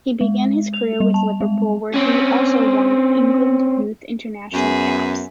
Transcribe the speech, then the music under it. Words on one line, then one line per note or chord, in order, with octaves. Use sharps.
He began his career with Liverpool, where he also won England Youth international caps.
G#3
F7
G3
A5
G#3
C4 C#4
F#2 B3 G#4 E5